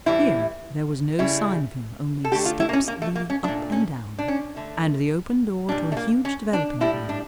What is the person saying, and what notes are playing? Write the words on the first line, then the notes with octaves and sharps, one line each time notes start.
Here there was no sign of him; only steps leading up and down and the open door to a huge developing room.
A2 E3 G3 E4
C#3 G3 E4
A4
D3 A3 G4
F4
E4
A#3
C#4
A#3
A3
A#3
C#4
A#2 A3 D4
C#4
D4
C#4
D3 A3
A#2 G3 D4
A3
A#3
C#4
D4
A2 G3 E4
D4